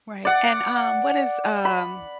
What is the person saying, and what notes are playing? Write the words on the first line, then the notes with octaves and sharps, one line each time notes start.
Right. And, um, what is um
D5 F#5
B5